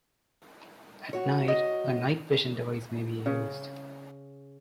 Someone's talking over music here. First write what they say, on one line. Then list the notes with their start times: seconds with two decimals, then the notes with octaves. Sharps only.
At night, a night-vision device may be used.
1.13 F#4 C#5
1.48 D#5
3.26 C#3